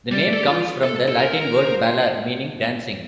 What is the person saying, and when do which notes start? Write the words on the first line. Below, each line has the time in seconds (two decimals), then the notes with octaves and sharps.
The name comes from the Latin word "ballare", meaning "dancing".
0.11 G3 D5
0.33 A4
0.41 G4
0.48 F4
0.83 A4
1.09 A4
1.19 A#4
1.56 C5